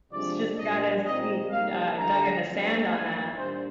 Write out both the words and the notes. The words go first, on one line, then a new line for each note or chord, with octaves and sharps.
He's just got his feet, uh, dug in the sand on that.
C3 F3 G#3 D4 D5
A#2 G3 D4 D#5
A#2 G3 C4 D#4 D#5
C3 G3 A#3 D#4 F5
D2 D3 G3 D4 A#5
D2 D3 F3 C4
G2 F3 A#3 D#4 G#5
A#2 G3 D4 C5